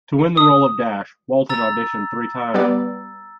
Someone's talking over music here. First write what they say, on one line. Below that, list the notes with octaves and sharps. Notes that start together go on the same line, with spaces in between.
To win the role of Dash, Walton auditioned three times.
D#6
A#5 E6 A6
G3 B3 D5